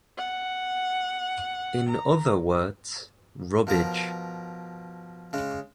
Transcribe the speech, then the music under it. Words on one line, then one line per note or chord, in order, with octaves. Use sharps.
In other words, rubbage.
F#5
A#5
B2 F3 A#4
C#3 G#3